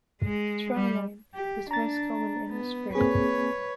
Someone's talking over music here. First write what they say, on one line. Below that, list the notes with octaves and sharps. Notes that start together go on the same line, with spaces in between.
The dry line is most common in the spring.
G#3
G3
G4
D4 A#5 A6
B3
A#3 C4 G#4 B4 C#5